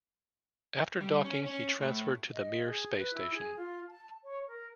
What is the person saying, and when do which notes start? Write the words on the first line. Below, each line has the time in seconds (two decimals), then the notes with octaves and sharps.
After docking he transferred to the Mir Space Station.
1.01 G3
1.25 C#4
1.46 C#4
1.81 A2
2.32 D#5
2.64 G#4
2.97 B4
3.13 E4
3.34 G#4
3.56 F4
3.88 A5
4.23 C#5
4.47 A#4